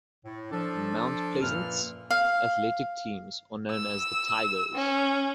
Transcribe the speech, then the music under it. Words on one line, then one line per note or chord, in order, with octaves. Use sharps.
Mount Pleasant's athletic teams are known as the "Tigers".
A2
F3 D4 A4
F#2 A#2 A#3 B4 F6
F5
E6
C#4